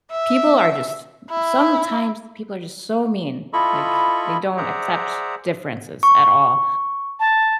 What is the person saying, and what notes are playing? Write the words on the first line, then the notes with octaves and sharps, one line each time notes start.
people are just sometimes people are just so mean. Like, they don't accept differences at all.
E5
E4
E4 F4 A4 D#5 B5 C#6
G#4 C5 D5 E5 F#5 A#5
C#6
A5